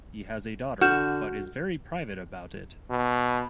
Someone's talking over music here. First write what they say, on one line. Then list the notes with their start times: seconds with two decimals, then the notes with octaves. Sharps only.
He has a daughter, but is very private about it.
0.81 D3 F#4 F6 G6 E7
2.90 B2